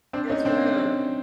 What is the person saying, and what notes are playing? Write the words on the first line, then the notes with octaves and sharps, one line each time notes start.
Yes, ma'am.
C4 D4
C#4 D#4
C4 D4